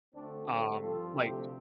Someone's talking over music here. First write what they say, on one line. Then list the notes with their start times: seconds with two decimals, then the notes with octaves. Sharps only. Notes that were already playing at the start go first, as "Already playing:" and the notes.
Um, like
0.13 D2 D3 A3 C4 D4
0.47 G2 D3 A3 C4 F4
0.80 G2 F3 C4 A4
1.14 D2 C3 F3 A3 C4 G4